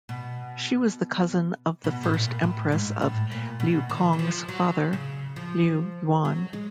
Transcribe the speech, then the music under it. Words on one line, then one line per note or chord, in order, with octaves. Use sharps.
She was the cousin of the first empress of Liu Cong's father Liu Yuan.
B2
B2
A2
A#2
A2
G#2
A2
A#2
B2
D#3
E3
F3
F#3
C#3
F3
F#3
G#3